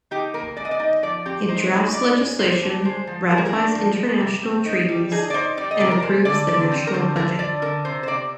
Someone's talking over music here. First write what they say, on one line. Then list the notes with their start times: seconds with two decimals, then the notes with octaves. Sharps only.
It drafts legislation, ratifies international treaties, and approves the national budget.
0.11 D#4 G4
0.34 A#3 A#4
0.57 G#3 D5
0.65 D#5
0.71 D5
0.79 D#4 D#5
1.03 F3 D5
1.26 C4 G4
1.49 D#4 C5
1.71 D#4
1.93 D#4 D5
2.16 G#3
2.39 C3 C5
2.62 D4
2.85 G#3 C5
3.07 F3
3.30 G#3 A#4
3.38 G#4
3.45 A#4
3.53 D4
3.75 F3
3.98 G#3
4.20 C3
4.43 C4
4.66 D#4
4.89 G3
5.12 D#4 G#4
5.30 D5
5.34 D#4 C5
5.57 G3 D5
5.71 D#5
5.80 C3 D5
5.91 A#4
6.02 G#3 C5
6.25 D3 D5
6.48 D3 D5
6.72 C4
6.87 A#4
6.94 D3 C5
7.16 D3 A#4
7.39 D3 D5
7.62 D3 A#4
7.85 C3 C5
8.03 C5
8.07 C3 D5